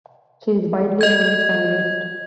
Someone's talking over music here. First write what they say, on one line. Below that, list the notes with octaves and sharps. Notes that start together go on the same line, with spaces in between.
She is widely known as a feminist.
D#5 G#6